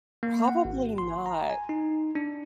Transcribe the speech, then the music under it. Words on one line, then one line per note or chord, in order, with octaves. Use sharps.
Probably not.
A#3
F#5
G#1
C6
A#5
G#5
D#4
D4